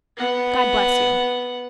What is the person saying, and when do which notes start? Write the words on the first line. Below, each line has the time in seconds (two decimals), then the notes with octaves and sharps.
God bless you!'
0.17 B3 F#5